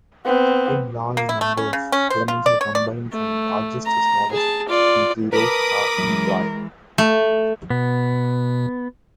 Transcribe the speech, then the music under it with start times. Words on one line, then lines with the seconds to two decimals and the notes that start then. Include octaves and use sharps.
In large numbers, elements are combined from largest to smallest, and zeros are implied.
0.25 B3 C4
1.17 A#3
1.29 E4
1.41 A3
1.57 C#4
1.73 C#3
1.92 C#4
2.10 C5
2.28 F4
2.46 D5
2.61 C#5
2.75 D5
3.13 A3
3.86 A#5
4.32 G#4 A5
4.68 F4 D5
5.33 A#4 B4 A5 B5 D6 D#6
5.98 F#2 E3 G#3
6.98 A3
7.70 B2 B3